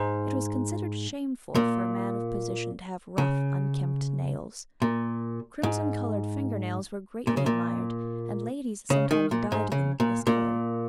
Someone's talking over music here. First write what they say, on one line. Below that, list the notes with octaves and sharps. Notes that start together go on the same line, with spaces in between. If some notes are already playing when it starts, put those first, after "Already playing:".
It was considered shameful for a man of position to have rough unkempt nails. Crimson-coloured finger-nails were greatly admired; and ladies sometimes dyed them this colour.
Already playing: G#2
A#2
C#3
A#2
G#2
A#2
C#3
A#2
C#3
D#3
A#2
G#2
C#3
A#2
A#2